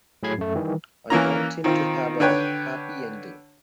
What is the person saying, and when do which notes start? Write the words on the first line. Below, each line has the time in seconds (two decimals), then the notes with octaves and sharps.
I want him to have a happy ending.
0.23 A2 F#3 G#4 B5 G#6 C7
0.38 F#2 A3
0.55 D#3 E3 G3
1.10 E3 A#3 C#4 A#5
1.64 D#3 C4 F4
2.20 D3 B4 C#5 G5